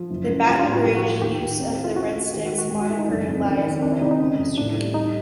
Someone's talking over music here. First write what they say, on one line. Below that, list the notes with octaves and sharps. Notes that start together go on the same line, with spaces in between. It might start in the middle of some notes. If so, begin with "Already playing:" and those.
The Baton Rouge use of the "Red Sticks" moniker lies in local history.
Already playing: F3
F#1
F#2
G3 F4
F4
A2
F#4
F3 G4
F#4
A#3
F4
D#2 G4
D#2
C4
E4
F4
C#4 F#4
A3
D#3 G4
F#4
G#3
F#4
G#3 G4
F#4
D#3 E4
D#4
F#1 D4
F2
C4
D#3 C#4
D#3
C4 D4
E4
C3 D#4
D#4
C#3
F2
A2 D4
G3
G3 D#4